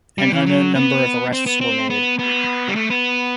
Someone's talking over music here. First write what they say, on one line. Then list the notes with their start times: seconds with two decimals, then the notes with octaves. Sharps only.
An unknown number of arrests were made.
0.18 G3
0.32 E3
0.46 F#3
0.75 B3
1.33 C4
1.46 B3
1.61 C4
1.90 B3
2.19 B3
2.68 G3
2.75 A3
2.90 B3